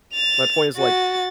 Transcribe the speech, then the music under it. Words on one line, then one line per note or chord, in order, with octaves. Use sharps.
my point is like,
A6 F7
F#4 A6